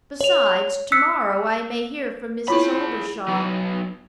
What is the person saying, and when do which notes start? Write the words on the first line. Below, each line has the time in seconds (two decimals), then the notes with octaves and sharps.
Besides, to-morrow I may hear from Mrs. Oldershaw.
0.21 C#5 F7
0.92 E6 F#6 B6 C#7
2.48 E4 F4 G#4 C#5 B5
3.28 F#3 B3